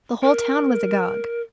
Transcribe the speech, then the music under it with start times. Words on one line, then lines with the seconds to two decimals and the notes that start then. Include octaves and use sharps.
The whole town was agog.
0.23 A#4